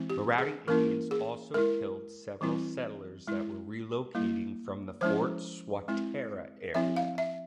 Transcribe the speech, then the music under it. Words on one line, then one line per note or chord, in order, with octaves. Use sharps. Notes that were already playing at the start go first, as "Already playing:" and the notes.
Marauding Indians also killed several settlers that were relocating from the Fort Swatara area.
Already playing: E3 G#3 C4 E4
G4
G#4
E3 A#3 C#4 E4 A#4
G#4
G#3 E4 A#4
E3 G3 C4 E4
G#3 E4
G3 A#3 E4
F3 G#3 C#4 E4 C5
G#3 C4 E4
F3 C4 E4 E5
F5
E5